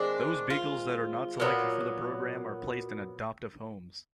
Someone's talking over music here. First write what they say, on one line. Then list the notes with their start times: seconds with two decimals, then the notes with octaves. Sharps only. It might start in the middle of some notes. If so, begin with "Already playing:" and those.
Those beagles that are not selected for the program are placed in adoptive homes.
Already playing: D#3 G#3 C4 D4
0.50 F4
1.40 A#2 F#3 B3